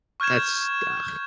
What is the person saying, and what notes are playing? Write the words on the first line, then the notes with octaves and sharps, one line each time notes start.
That's ugh.
C#6 F6 G6 G#6 E7